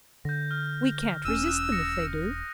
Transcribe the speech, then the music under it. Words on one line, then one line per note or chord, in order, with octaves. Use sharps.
We can't resist them, if they do.
D3 G6 A#6
F6
E1 C#4 E6 D#7
D#6 F#6
D#6 A#6 C#7